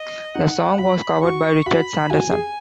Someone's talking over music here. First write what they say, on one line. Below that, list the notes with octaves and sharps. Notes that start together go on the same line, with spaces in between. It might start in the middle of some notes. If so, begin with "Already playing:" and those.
The song was covered by Richard Sanderson.
Already playing: D#5
D#4 F#5
F#4 B5
F#4 C#6
F#4 B5
F#4 G#5
G#4